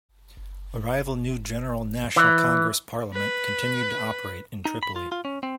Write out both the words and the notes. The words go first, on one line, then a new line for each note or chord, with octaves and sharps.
A rival New General National Congress parliament continued to operate in Tripoli.
E3
B4
D#4
B5
F4
F4
C#4
C4